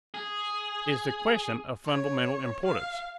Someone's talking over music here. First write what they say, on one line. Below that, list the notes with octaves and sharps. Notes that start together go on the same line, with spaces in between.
Is the question of fundamental importance?
G#4
C#5
F5